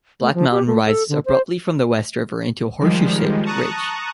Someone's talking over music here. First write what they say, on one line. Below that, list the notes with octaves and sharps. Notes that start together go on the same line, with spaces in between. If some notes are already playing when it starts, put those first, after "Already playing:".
Black Mountain rises abruptly from the West River into a horseshoe-shaped ridge.
A3
F3
G4
A3
A4
D3
C5
D#3 F3 G3 G#3
A5 A#5 C#6 D#6 F#6